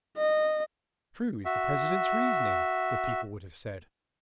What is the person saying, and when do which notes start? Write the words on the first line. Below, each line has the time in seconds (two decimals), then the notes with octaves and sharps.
"How true is the president's reasoning," the people would have said.
0.17 D#5
1.45 F#4 E5